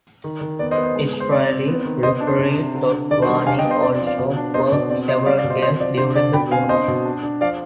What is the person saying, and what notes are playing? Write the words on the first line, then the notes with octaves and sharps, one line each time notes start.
Israeli referee Todd Warnick also worked several games during the tournament.
D#3
D#3
B3 D5
C5 D#5
B3
C5
G#3
G#3
C5
C4 D5
C4
B3
D#3
B3 C5 D#5
D4
C5
C3
C3
D3
D3
D#3 D5
C5 D#5
G3
D4 F5 G#5
D#5 G5
B3
C5 D#5
C4 D5
D5
F3
D5 F5
B2
D4
B3 C5 D#5
B2 D5
C4 D5
C4 C5 D#5
G3 D5 F5
D5 F5
B2
C5 D#5
C4 C5 D#5
F3 D5
D3 C5
D3 D5
B2 G5 B5
C4 F5 G#5
D4 C5 D#5
B2
D4
D4
F3 D5 F5